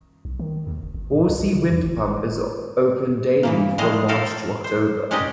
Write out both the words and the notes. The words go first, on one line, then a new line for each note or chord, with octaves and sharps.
Horsey Windpump is open daily from March to October.
B1
D#3
D#2
F#1
G#1
A2
C#2
C#3
E2
G#1
G#1
C#3 E3 A#3
A2 F3 G3 G#3 D#5 F5
C4 D#4 A4 A#4 F5
C5
G#3 C#4 D#4 G4 D5 D#5